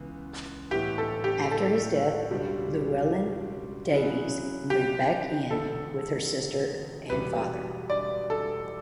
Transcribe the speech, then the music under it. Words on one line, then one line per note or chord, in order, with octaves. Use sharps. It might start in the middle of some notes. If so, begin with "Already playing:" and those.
After his death Llewelyn Davies moved back in with her sister and father.
Already playing: C#2 C#3 E3 B3
A2 E3 B3 E4 G4
A4
G4
A4
C#2 B2 G3 D4 G4
C#3 F#3 C#4 E4 B4
G4
E1 D2 D3 A4
E1 E2 B2 G3 B4
D5
A4